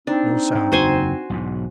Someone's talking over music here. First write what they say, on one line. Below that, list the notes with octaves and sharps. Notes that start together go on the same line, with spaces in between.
No sound.
C4 D4 D#4
G#2
F#1 E2 F#4 C5 G#5
B1 E2 G#2